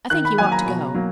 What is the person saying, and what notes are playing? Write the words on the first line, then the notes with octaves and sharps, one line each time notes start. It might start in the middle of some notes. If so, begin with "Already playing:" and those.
I think you ought to go.
D#3 F#6
B5
F#3 A#3 G#5
A#5
B2
F#3 A#3